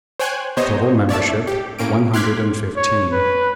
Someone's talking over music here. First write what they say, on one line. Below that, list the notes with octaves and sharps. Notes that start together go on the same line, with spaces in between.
Total membership, one hundred and fifteen.
C5 C#5 G5 G#5 F#6 G#6
C3 B3 C5 C#5 D#5
C#5 D5 E5 A5
G4
A2 A#3 C#4 D7
C6 D6 F6 F#6 G#6 B6
C#5
B4